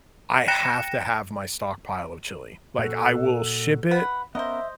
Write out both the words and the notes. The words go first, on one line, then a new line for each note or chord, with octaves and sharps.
I have to have my stockpile of chili. Like, I will ship it.
G5 F#6 A#6 C#7 E7
A#2 F#4 A4
B4 F#5 B5
B3 C#4 A#4 C5 D#5 E5